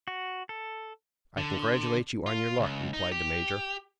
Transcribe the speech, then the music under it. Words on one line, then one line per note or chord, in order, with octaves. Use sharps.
"I congratulate you on your luck," replied the major.
F#4
A4
D3
F4
C#2
D#4
G4